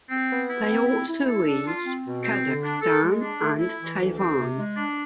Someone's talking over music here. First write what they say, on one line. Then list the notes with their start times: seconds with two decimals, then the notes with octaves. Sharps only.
They also reach Kazakhstan and Taiwan.
0.09 C4
0.30 B3
0.49 E4
0.68 C4
0.88 E4
1.07 E4
1.27 A4
1.45 D4
1.66 F4
1.85 C4
2.04 B2
2.24 C4
2.44 D3
2.63 D4
2.82 A4
3.02 G#3
3.21 D4
3.40 A3
3.59 E4
3.79 E3
3.98 D2
4.19 C4
4.37 C3
4.57 G#3
4.77 D4